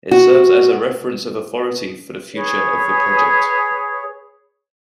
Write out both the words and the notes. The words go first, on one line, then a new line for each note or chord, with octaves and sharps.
It serves as a reference of authority for the future of the project.
F#4
G#4 B4 C#5